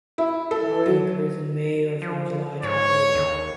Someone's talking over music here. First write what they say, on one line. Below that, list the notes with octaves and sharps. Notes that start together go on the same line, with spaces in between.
Flowering occurs in May or from July to October.
E4
A4
F#3
F3
G#2 C#5
D#2